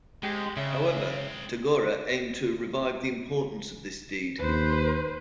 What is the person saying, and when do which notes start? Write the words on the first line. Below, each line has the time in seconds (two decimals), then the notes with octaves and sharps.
However, Tagore aimed to revive the importance of this deed.
0.23 G#3 C4 D#4 G4
0.57 C#3 G#3 C4 C#5 E5
4.40 D#2 B4 C5